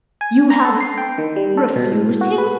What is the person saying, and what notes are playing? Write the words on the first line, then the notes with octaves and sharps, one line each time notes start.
"You have--refused him?"
G#5
A#5
A4
C7
G5
D#3
G3
A4
B2
A2
F#4
B4